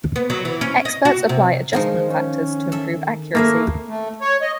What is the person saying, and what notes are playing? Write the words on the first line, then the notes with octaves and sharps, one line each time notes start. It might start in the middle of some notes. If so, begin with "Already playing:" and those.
Experts apply adjustment factors to improve accuracy.
B3
F#3
E3
C#4
D#5
F#4
C3
D#3 F3 G#3 D#4 A#4
C#4
A4 E5
A3 A#3 E4 G#4 E5
A3
C#5
D#5